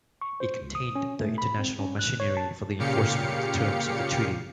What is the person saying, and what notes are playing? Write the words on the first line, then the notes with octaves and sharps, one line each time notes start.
It contained the international machinery for the enforcement of the terms of the treaty.
C#6
C5
C#2
D#6
C#4
A3
B5
C4
C#4
F#6
C#5
A5
A#2 C#3 G4 F5 C#7